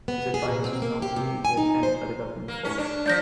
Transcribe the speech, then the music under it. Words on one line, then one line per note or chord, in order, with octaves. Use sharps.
His advice was not taken into account by the Government Board.
B3
G#4
A#2
C4
A#3
G4
C3
G#5
D#4
C5
A#3
C#4
D4
F3 D4 D5 G6 A#6